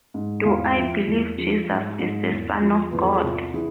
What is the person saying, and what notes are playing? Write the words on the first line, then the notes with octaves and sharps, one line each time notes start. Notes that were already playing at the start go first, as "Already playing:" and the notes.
Do I believe Jesus is the son of God?
G#2
E2 F5
F3 E5
E2
F3 G#4
G#2
G#2
E2
F3
E2 B4
A4
G#4
C2 F4
E3 G#4